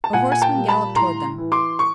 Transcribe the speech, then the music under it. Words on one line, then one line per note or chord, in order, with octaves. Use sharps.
A horseman galloped toward them.
A5
A#2 F#5 G#5
G#5
G5 A5
G3
A5 B5
A2 A#5 C6
E3
C6 D6
C#6